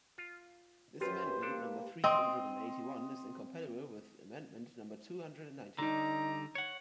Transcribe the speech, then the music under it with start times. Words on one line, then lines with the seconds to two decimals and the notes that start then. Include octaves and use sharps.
This Amendment number three hundred and eighty-one is incompatible with Amendment number two hundred and ninety.
0.18 F4
1.01 F#2 F4 G4 B4 C5 C6
1.42 A#3 D4 A4
2.04 C4 D#5 C6 D#6
5.79 D3 G3 D#4 A#5
6.55 C#5 F#5